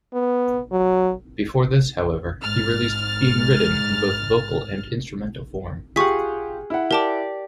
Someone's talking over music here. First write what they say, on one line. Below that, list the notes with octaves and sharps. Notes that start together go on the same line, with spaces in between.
Before this, however, he released "Being Ridden" in both vocal and instrumental form.
B3
F#3
G#2 F6 A6
F4 G4 G#4 F#5 C#6 B6
E4 F#5
G4 A#4 D5 A5 D6